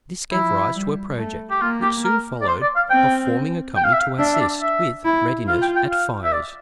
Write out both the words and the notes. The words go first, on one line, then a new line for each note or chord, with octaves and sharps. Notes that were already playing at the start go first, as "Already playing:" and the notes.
This gave rise to a project, which soon followed, of forming a company to assist, with readiness, at fires.
F3 E4
G3
A3
G4
A#3 F4
G4
A#4
D5
C5
D5
F5
C4 G5
G5
F5
E5
F5
D4 E5
E5
D5
E5
E4
F4 F5
G5
G5
F5
E5
D5